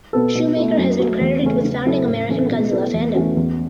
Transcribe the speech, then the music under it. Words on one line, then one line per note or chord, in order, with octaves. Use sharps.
Shoemaker has been credited with founding American Godzilla fandom.
B2 B3 A4
B2
A3 E4 A4
F#2
F#3 A3
E2
C#3 A3 C#4 A4
C#3
F#3 C#4 E4 A4
A2
E3 C#4 A4
B2
B3 E4 A4
E2
E3 A3 C#4 F#4
E2